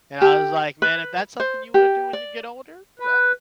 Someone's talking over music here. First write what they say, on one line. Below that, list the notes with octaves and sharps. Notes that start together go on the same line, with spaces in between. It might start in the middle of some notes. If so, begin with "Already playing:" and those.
And I was like, "Man, if that's something you wanna do when you get older? Well I"
G4
B4
C5
G4
D5
B4